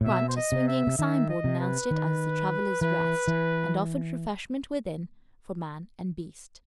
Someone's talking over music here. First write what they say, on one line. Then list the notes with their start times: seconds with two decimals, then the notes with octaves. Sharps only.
In front, a swinging sign-board announced it as the "Traveller's Rest" and offered refreshment within for man and beast.
0.01 A2
0.06 B2 E5
0.28 C5
0.37 D#5
0.52 C3
0.68 E5
0.87 C3
0.98 D#3 E5
1.29 D#5
1.44 C3
1.60 B4
1.91 D#3
2.81 E3 B4
3.28 E3